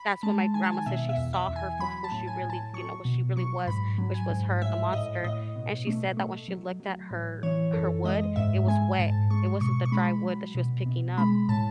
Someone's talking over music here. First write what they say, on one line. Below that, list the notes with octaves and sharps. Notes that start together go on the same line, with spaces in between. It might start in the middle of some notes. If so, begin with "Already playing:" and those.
that's when my grandma said she saw her for who she really you know, what she really was, which was her, the monster, and she said that when she looked at her her wood, it was wet, it wasn't the dry wood that she was picking up,
Already playing: B5
G#3 A5
D#3 G#5
A5
G#5
B2 E5
E5
E2
E5
E2
G#5
F#3 B5
A5
A2
G#5
A2
A5
F#3 C#6
B2
F#3 C#6
G#2 B5
F#3
G#5
G#2
A2 E5
A2 D#5
A2 D#5
B2
A3
A3
F#3
F#3
A2
E3 C#5
F#2 A4
G#3 D#5
G#2 E5
G#3 G#5
G#2 A5
G#3 C#6
B2 C#6
C#6
G#3 B5
F#3
B2
B2
G#3 B5
A2 A5